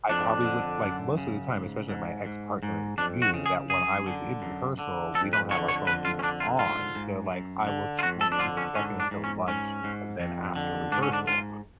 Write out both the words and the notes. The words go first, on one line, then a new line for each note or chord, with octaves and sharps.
I probably would like most of the time, especially my ex-partner knew that when I was in rehearsal, we don't have our phones even on. So, like, I will ch won't even check in until lunch, and then after rehearsal.
F2 D4
D3
F#2
C#3
G#2
G#2
G#2
G#2
F2 D4
F#4
C#3
G#4
F#2 G#4
D3
F#2
D3
F2 A4
B4
D3 C#5
C#5
F2 B4
F4
C#4
D3 D4
F4
G#2 F4
G#2
F#2
D3
F4
F2 F#4
A4
D4
D3 F4
C#4
G#2 C#4
D4
G#2
C#4
G#2 C#4
G#2
F2
D3
G#2 D4
C#4
D4
G#2 F4